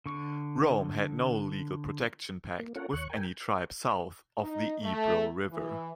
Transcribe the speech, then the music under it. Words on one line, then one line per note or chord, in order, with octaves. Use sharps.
Rome had no legal protection pact with any tribe south of the Ebro River.
D3 C#6
A#3
C#4 F4 A4 A#4 C#5 F#5
D#2 C#5 C#6 F#6
A#4 G5 G#5
D#4
A3
E3